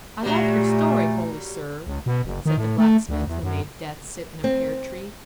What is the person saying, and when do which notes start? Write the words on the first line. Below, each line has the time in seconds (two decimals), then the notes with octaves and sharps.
"I like your story, holy sir," said the Blacksmith who made Death sit in a pear-tree.
0.23 A#2 F#3 G3 A3
1.87 C#2
2.06 B2
2.25 F#1
2.46 D#3
2.57 A2
2.78 A3
3.09 D2
3.27 E2
3.43 F#2
4.44 C4